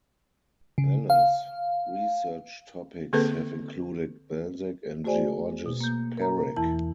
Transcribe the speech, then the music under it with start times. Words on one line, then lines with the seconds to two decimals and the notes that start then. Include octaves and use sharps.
Bellos' research topics have included Balzac and Georges Perec.
0.78 C#3
1.10 F5
3.13 D3 A#3 C4 G#4 A4 B4
5.04 A3 F#4 G#4 C5 D5 G#5
5.66 B2
5.81 A#3 G6
6.17 A#4 A#5
6.56 E2 E3 E4 A5